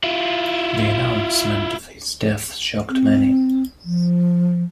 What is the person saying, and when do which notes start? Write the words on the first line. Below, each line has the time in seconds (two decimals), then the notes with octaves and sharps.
The announcement of his death shocked many.
0.04 E4 F4
2.89 C4
3.85 F3